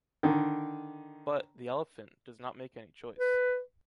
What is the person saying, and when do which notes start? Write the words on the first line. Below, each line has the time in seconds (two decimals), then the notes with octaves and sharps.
But, the elephant, does not make any choice.
0.23 D3 D#3
3.18 B4